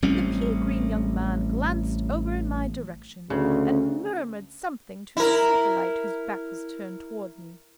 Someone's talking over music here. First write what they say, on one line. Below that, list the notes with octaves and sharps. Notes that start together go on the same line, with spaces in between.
The pea-green young man glanced over in my direction, and murmured something to the satellite, whose back was turned towards me.
A1 G3 C4 C#4
D2 C#3
E4 A#4